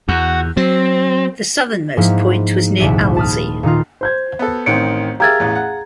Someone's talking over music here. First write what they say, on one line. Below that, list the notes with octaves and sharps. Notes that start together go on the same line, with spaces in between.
The southernmost point was near Alzey.
E2 F#4
F#3 C4
G#2 F3 A#3 B3 D#4 E4
D#1 C2 E4 B6 E7
A5 B5 D#6 F6
A#2 D#3 D#4 F4
C5 G6 G#6
B3 A4
A1 D#3 C4 C#7 D7
G4 G#4 A#4 E5 F5 A#5 G#6 A6
A1 E2
F#5